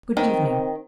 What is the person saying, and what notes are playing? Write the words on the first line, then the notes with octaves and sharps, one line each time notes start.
"Good evening."
D#3 C4